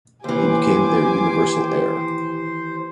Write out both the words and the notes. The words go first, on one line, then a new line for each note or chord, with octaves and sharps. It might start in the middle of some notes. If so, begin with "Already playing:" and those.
He became their universal heir.
D#2 E3 G4 C5 G#5 D6